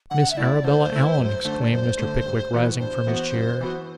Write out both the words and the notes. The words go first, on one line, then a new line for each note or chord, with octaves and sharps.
'Miss Arabella Allen!' exclaimed Mr. Pickwick, rising from his chair.
D3 F#5
E5
A3 E4 D5
D3 C5
A3 E4
F#2
D3 A3
D5
F#2 C5
D3 A3
G2
E3 B3 F#4
G2 C5
E3 B3 F#4
F#2
E3 B3 F#4